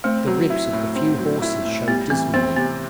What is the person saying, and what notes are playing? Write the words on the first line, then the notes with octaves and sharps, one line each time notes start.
The ribs of the few horses showed dismally.
A3 C4
F#3
E4
A2
C4
F#3
E4
A2
G3 B3
E3 C4
B3 C4
C3 B3